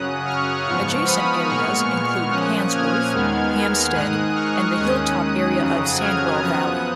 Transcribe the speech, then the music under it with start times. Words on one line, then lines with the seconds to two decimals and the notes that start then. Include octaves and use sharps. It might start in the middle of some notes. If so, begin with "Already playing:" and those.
Adjacent areas include Handsworth, Hamstead and the hilltop area of Sandwell Valley.
Already playing: F#2 C#3 F#3 C#4 D#6 F#6
0.25 C#6 F6
0.66 G#2 F3 B3 C#6 F6
1.07 B5 D#6
1.49 A#2 G#3 B3 C#6 F6
2.30 A#2 F3 A#3 C#4 D#6 F#6
2.71 F6 G#6
3.13 D#2 D#3 G#3 B3
3.94 G#2 D#3 G#3 D#6 F#6
4.36 C#6 F6
4.76 D#2 D#3 G#3 C#4 D#6 F#6
5.59 F2 C#3 F#3
6.00 F6 G#6
6.40 F#2 F3 B3 D#6 F#6